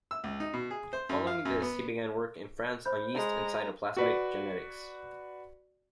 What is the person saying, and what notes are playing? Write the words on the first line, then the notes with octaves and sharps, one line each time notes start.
Following this he began work in France on yeast and cytoplasmic genetics.
E6
C#2
D#4
B2
G#4
C5
F#2
F5
F#2
B3
C5 B5 G6
G#3 A#5
F#4 B4 D5